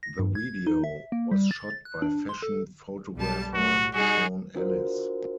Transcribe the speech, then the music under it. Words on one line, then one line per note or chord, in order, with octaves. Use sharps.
The video was shot by fashion photographer Sean Ellis.
A#6
G2
G#6
D#4
E5
A#3
G3
A6
F#6
D4
C6
A4
B1 G3 A5
A2 F#4
G3 D#4 F#4 G#4
D4 F4 F#4 A#4 C5